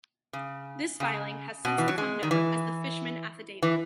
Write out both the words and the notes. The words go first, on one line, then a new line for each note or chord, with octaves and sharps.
This filing has since become known as the Fishman Affidavit.
C#3
C#3
B2
E3
F#3
G#3
D#3
E3
E3